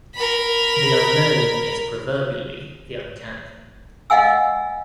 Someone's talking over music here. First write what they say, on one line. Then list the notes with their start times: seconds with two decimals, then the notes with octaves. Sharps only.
The unknown is proverbially the uncanny.
0.15 A#4 B5
4.10 D#5 F5 F#5 G#5 E6